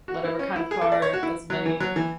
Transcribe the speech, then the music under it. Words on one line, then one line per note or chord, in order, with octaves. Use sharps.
whatever kind of car, as many
F#4
E4
C#4
E4
G#4
A4
D5
C#5
F#4
E4
F#3
E3
F#3
E3